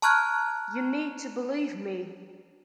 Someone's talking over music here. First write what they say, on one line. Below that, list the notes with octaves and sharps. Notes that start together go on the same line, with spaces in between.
You need to believe me.
A5 A#5 C#6 F6 F#6 G#6